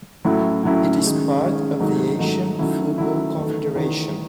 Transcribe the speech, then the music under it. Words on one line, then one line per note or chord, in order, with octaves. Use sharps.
It is part of the Asian Football Confederation.
A2 F#3 A3 C#4 E4
A2 F#3 A3 C#4 E4
D#3 G#3 C#4
D#3 G#3 C#4
G#2 D#3 F#3 A3 D#4
G#2 D#3 F#3 A3 D#4
D#3 F#3 A3 C#4 E4
D#3 F#3 A3 C#4 E4
E2 D#3 A3
E2 D#3 A3